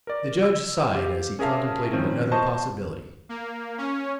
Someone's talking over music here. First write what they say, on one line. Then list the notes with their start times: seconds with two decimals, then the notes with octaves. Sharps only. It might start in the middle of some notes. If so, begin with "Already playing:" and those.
The judge sighed as he contemplated another possibility.
0.07 A#4 D5
0.43 E6
0.95 G4 F5
1.39 C#4 G#4 A#4 E5 F5 A5
1.93 D#3 F3 C4 C#4
2.32 C5 D#5 A5 C#6
3.29 A#3
3.78 C#4